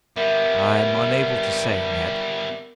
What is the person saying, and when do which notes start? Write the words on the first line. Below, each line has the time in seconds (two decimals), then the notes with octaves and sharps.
"I'm unable to say, Ned."
0.16 G3 B3 A#4 E5